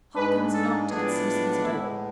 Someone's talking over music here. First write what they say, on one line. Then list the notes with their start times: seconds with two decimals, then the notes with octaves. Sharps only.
Hopkins knocked at Simpson's door.
0.15 G#2 G#3 D4 B4
0.53 A4
0.89 A2 F3 G#3 B3 D4 G#4
1.63 A2 G#3 B3 E4